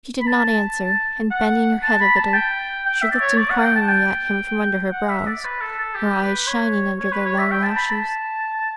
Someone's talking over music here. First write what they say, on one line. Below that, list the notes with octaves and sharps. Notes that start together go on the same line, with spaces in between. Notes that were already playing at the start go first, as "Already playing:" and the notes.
She did not answer, and, bending her head a little, she looked inquiringly at him from under her brows, her eyes shining under their long lashes.
B5
A5
F#5
A5
B5
A5
G5
G5
E5
D5
C#5
D5
F#5
G5
A5
G5
F#5
E5
D5
B4
A4
A4
G4
B4
C#5
C#5
B4
C#5
E5
G5
A5
B5
A5